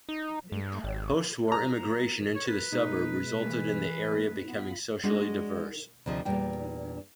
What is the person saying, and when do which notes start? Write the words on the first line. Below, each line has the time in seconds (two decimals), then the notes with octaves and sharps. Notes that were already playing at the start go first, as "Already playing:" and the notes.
Postwar immigration into the suburb resulted in the area becoming socially diverse.
0.09 D#4
0.52 G2
0.84 G#1
1.52 A#5
2.35 C#5
2.48 A#4 B4 A#5
2.72 B2 G#3 D#4
3.49 E3
4.48 B3 F4 B5
5.03 G#3 D4 F#4
6.06 D2 C3 F3 C5 D#5
6.25 E2 A#2 G3 D4 G5